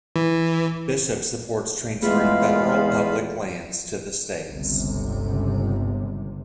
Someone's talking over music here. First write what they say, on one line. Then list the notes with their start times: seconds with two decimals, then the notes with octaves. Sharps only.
Bishop supports transferring federal public lands to the states.
0.16 E3
2.02 E2 G#3 A3 F4 G#4 F5 B5
4.48 G1 C#2 C3